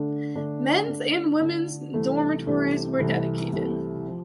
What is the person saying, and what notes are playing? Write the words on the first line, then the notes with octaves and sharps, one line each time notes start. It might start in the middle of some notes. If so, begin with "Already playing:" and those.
Men's and women's dormitories were dedicated.
Already playing: D3 A3 D4
D3 A3 D4
D3 A3 D4
D3 A3 D4
C2 C3 E3 A3
C2 C3 E3 A3
C2 C3 E3 A3
C2 C3 E3 A3
F3